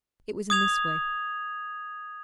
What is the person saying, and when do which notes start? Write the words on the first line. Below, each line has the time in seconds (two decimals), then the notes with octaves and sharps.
It was in this way.
0.50 D#6 G#6 F7